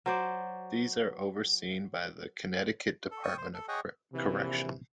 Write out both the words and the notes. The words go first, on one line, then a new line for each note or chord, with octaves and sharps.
These are overseen by the Connecticut Department of Correction.
F#3 C5 D5
A4
G5 C#6 D#6
C5
A4
G#4 C#5 D#5 F#5 G5
A#1 C3 E3